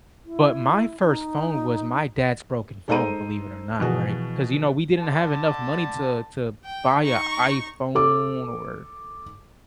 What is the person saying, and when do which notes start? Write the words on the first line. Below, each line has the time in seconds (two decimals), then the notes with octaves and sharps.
but my first phone was my dad's broken phone, believe it or not, right? 'Cause, you know, we didn't have enough money to to buy a iPhone or,
0.25 E4
1.02 D#4
2.88 G#3 D#4 A4 C5 A#5 D#7
3.80 B2 E3 F3 F#4 G#4
4.99 D3 A5
6.64 G5
7.02 D#4 C#6
7.95 A4 D6